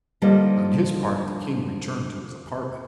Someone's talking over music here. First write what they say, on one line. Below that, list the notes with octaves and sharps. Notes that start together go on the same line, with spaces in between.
On his part the king returned to his apartment.
D3 F3 G3 A#3 D#4